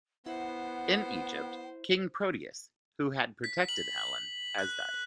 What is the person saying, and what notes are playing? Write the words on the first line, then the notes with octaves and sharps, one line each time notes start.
In Egypt, king Proteus, who had protected Helen, has died.
B3 E4 C5 F#5
B6
F#7
F#6